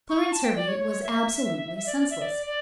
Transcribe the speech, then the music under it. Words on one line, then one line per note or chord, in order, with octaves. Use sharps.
Clarence Hervey was absolutely senseless.
C#6
A5
G5
D5
C#5
C#5
E5
E5
D5
D5
E5
D5
D5